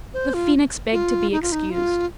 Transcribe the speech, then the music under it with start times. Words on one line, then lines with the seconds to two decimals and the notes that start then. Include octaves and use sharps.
The Phoenix begged to be excused.
0.14 C5
0.34 F4
0.92 F4
1.32 D#4
1.42 F4
1.52 D#4
1.70 F4